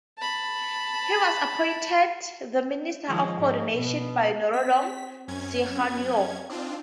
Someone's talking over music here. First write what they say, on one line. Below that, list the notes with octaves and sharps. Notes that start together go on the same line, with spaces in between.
He was appointed the Minister of Coordination by Norodom Sihanouk.
A5 B5
D#3 F3 G#3
G#2
B2 B3
C4 B6
F#2 C#4 G#6
C4 D4 D#4 F4